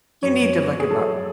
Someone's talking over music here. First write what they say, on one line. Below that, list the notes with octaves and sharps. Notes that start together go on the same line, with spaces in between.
You need to look him up.
F#2 C#5
F#2
G#3
F#2
G#4
F#2 A4